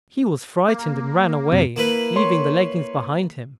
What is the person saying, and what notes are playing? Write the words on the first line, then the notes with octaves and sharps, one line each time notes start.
He was frightened and ran away, leaving the leggings behind him.
A#3
F#2 C3
A#3 E4 B4
C#5 C6